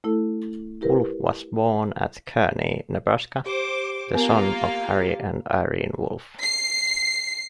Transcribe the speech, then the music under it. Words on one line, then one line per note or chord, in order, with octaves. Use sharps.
Wolf was born at Kearney, Nebraska, the son of Harry and Irene Wolf.
A3 E4 A4
E4 G4 A#4 B4
G4 C5 D6
A#3 B3 F4 A#4 F5
C7